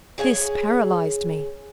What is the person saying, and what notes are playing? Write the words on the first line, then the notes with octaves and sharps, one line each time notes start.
This paralysed me.
G#4 C#5 F#5 G#5